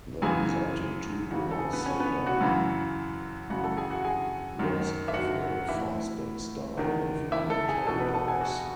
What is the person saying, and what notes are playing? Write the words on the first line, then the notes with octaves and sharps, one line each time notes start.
The resulting two-door sedan was of a fastback style, with long and heavy doors.
F#2 C#3 E3 G#4 G#5
E2 C#3 E3 F#4 F#5
A4
G#4
B3 B4
C#4 C#5
B3 B4
F#4 F#5
F#2 C#3 E3
F#2 C#3 E3 F#4 F#5
A4 A5
G#4 G#5
F#4 F#5
G#4 G#5
F#2 D#3
E5
F#4 F#5
A2 E3 E4 E5
E2 D#3
E4 E5
A4
G#4
E2 B2 A4
B3 B4
A4 A5
F#5
G#4 G#5
F#4 F#5